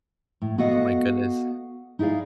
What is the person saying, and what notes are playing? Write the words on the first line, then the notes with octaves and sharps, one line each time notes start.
Oh my goodness.
A2
B3 F#4 A4 D#5 F5 F#5
D#4 E4 G#4 D5 F5